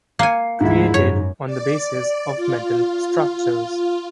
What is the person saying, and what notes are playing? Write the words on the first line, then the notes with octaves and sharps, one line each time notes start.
Created on the basis of metal structures.
A#3 G#5 C7 C#7
D2 G#2 F3 G#3 E4
F#2 C#5
D5
F4